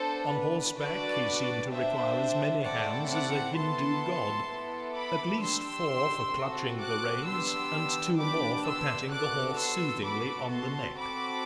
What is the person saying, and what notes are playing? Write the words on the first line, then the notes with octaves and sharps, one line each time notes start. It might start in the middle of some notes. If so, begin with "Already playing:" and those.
On horseback he seemed to require as many hands as a Hindu god, at least four for clutching the reins, and two more for patting the horse soothingly on the neck.
Already playing: B3 D4 A4 C5
B4
D4 F#4 A4 B4 D5
D4 G4 C5 E5
A3 C4 E4 A4 D5 F#5
D5 F#5
B3 E4 A4 A5 C6
B3 E4 A4
B5 D6
D4 G4 C6 E6
C4 F#4 A4
D6 F#6
B3 D4 G4 C6 E6
B3 D4 G4 B5 D6
C6 E6
B3 D4 F#4 A4 D6 F#6
C6 E6
B3 F#4 A4 B5 D6
A5 C6
C4 F#4 A4 B5 D6